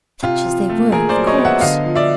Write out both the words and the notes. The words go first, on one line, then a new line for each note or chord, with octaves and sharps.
"Such as they were, of course."
C3 F4
F3
A3
A#2 G#4 A#4
C5 D5
F#3
C#5 D#5
B3
E5 F#5
D3 D#5 F5
F3
D5 E5